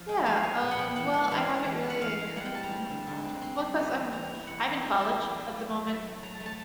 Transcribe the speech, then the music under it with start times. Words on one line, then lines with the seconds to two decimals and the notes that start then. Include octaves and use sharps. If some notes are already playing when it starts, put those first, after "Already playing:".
Yeah, um, well, I haven't really have I done a project? Well, 'cause I'm I'm in college at the moment
Already playing: F3
0.08 G#3 G5
0.26 F3 F5
0.43 B3 G#5
0.61 A#2
0.71 F#5
0.78 F3 G5
0.96 E3 F#5
1.13 G#3 F#5
1.31 E3 F5
1.49 G#3
1.66 E3
1.84 E3
1.90 F#5
2.01 E3 F5
2.19 G#3
2.36 G3 F#5
2.45 G5
2.54 C4 A5
2.63 A#5
2.71 G3
2.89 D3
3.07 D3
3.24 C4
3.41 C4 C6
3.59 G3 B5
3.78 B3
3.94 E3
4.12 E3 A#5
4.29 E4
4.47 E3 F#5
4.65 E3
4.82 G3 G5
5.00 E4 A5
5.18 F#3
5.35 F#3
5.53 A3
5.70 F#3
5.87 F#3 A5
6.05 A3
6.22 F#3 A#5
6.35 A5
6.40 A3
6.46 A5